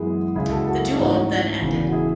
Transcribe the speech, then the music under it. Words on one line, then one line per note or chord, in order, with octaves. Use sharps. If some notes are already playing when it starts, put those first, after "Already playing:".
The duel then ended.
Already playing: F#2 E3 G#3 B3 E4 G#4
C#2 C#3 G#3 E4 G#4
F#4 A4
F#4 A4
G#4
G#2 E3 A3 C#4 D#4 F#4
E1 E2 C#3 E3
F#4
E4 G#4